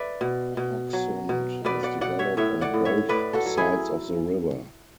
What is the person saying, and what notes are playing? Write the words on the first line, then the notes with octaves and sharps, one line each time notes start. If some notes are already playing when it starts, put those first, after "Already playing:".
Hokksund has developed on both sides of the river.
Already playing: B4 D5 E5
B2
B2
F#3
B2
B2 B4 D5
D5 F#5
B2 D5 F#5
C#5 E5
A2 C#5 E5
D5 F#5
A2
C#5 E5
A2 B4 D5
F#4 A4
F#3
E4 G#4